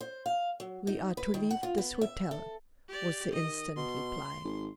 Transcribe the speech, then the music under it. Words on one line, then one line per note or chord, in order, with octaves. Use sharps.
"We are to leave this hotel," was the instant reply.
C5
F5
F#3
D#4
B4
D#3
F#5
F4
B3
E5
A4
G4 D5
D#3 D#5
B2 C6
G#1